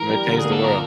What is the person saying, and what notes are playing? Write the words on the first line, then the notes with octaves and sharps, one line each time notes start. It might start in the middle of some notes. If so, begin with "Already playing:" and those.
I'm gonna change the world.
Already playing: E3 A#4
G3
D3
G#4
A#3
A4
A#2 A#4